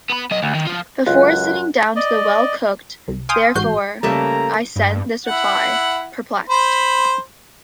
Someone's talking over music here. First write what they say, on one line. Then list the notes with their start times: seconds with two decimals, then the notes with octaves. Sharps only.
Before sitting down to the well-cooked, therefore, I sent this reply: Perplexed.
0.10 B3 B5
0.31 F#3 D#5
0.43 D2
0.55 D#3
0.67 F3 F4
1.07 C#2 F#2 F4 F#6
1.96 D5 D#5
3.08 C2
3.29 F5 G5 G#5 C6 D#6
3.55 A1 G#2 F#4 G6 C7
4.03 C#3 G3 A3 A#3 A4 A#5
4.76 G2
5.26 E4 F#5
6.50 C5 B5